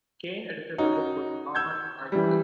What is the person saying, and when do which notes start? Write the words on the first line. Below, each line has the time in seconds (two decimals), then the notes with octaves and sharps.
Kane edited the book with Armand Eisen.
0.78 C#4 D#4 F#4
1.55 E6 G6 G#6
2.12 E3 G3